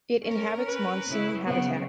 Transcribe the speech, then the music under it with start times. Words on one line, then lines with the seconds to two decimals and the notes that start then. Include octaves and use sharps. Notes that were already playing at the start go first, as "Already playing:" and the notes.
It inhabits monsoon habitat.
0.24 C#4 A#4
0.69 B4
1.10 C#3 E4
1.46 C#3 F#3 B3 C4